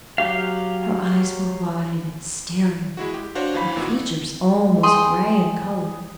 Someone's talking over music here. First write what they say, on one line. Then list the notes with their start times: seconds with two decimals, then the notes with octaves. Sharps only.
Her eyes were wide and staring, her features almost gray in color.
0.18 F#3 G4 F5
2.97 G#3 E4 F#4
3.14 G4
3.35 D4 F#4 C5 C#5 F5
3.54 D#2 E3 F5 B5
3.76 A#2 E3 C4 D#4 F#4
4.83 G#4 D#5 G5 C6